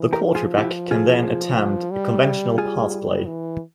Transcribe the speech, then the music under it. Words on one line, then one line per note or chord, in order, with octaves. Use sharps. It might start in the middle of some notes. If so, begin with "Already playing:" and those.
The quarterback can then attempt a conventional pass play.
Already playing: E3
G4 A#4
F3
F4 G#4
E4 G4
F4 G#4
G3
G3 F4 G#4
E3